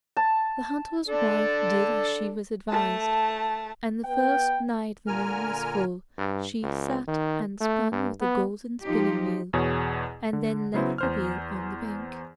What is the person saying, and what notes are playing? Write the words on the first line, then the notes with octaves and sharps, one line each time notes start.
The hunter's wife did as she was advised, and the first night the moon was full she sat and spun with a golden spinning-wheel, and then left the wheel on the bank.
A5
D4 A4
A3 A5
B3 B4 G5
A#2 D3 A#4 G#5 F6
G2
C#2
D#3
A3
G2
B3
F3 D#4 G4
E2 B2 G#4 C#5
D3
C#3 F#3 B3 E4 C5
E2 C5 F6